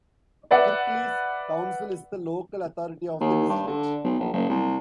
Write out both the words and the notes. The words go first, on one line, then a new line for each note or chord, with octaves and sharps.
Kirklees Council is the local authority of the district.
B4 D5 E5 F#5
D#2
G2
D3
B1
A#1
F#1
C2